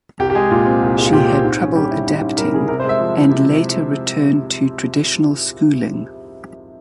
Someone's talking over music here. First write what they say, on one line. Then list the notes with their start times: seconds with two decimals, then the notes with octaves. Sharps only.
She had trouble adapting and later returned to traditional schooling.
0.19 C2 G4
0.30 G4
0.35 G#3 G#4
0.51 A#2 F4
0.66 C4
0.82 C2
0.98 G#3
1.05 F4
1.13 A#2 G4
1.29 C4
1.44 G#2
1.60 C#4
1.76 G3 G4
1.91 E4
2.07 G#2
2.22 C#4
2.38 G3 A#4
2.54 E4 G#4
2.68 C3 A#4
2.80 C5
2.84 G#3 E5
3.00 F3
3.16 E4
3.31 C3